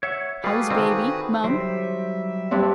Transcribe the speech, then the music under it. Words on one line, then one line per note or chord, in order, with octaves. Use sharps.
How's Baby, mum?
C#5 E5 F#5
G3 F#4 G#4 A4 B4 F5 D6
D3 D#3 C4
F#3 G3 C5 E5
G2 C4